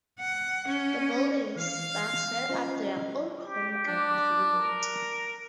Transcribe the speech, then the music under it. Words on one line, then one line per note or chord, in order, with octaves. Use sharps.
The building's staff set up their own Home Guard unit.
F#5
C#4
E3 F5
C#4 F4 C5 D#5 A#5
G4
D4
A#4